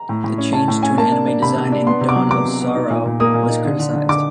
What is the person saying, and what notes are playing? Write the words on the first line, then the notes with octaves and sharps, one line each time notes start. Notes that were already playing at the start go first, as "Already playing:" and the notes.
The change to an anime design in "Dawn of Sorrow" was criticized.
Already playing: A#5
A2
A2
C#4
C#4 A5
A2
C#4 G#5
A#3 A5
D4
D4
C3 B5
C3
D4
B3 C6
C3
D6
F#3
B3 D6
C3
B3
D#4
A#2
A#2
A#3 D#6
A#2
D#4
D3
D3
D3
D3 D6